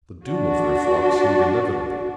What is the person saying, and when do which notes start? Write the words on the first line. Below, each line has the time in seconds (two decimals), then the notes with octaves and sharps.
The doom of their flock seemed inevitable.
0.24 D4 F#4